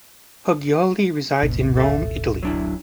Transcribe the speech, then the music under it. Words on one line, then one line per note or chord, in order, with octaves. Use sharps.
Poggioli resides in Rome, Italy.
D1 G#1 B2
A4 E5
F#3 D4 E4